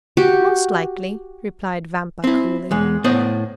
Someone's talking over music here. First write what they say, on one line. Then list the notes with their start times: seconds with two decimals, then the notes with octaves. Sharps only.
"Most likely," replied Vampa coolly.
0.17 F#4 G4
2.24 C4 E4
2.71 E2 G#3
3.04 A2 B3 C5 D5 D#5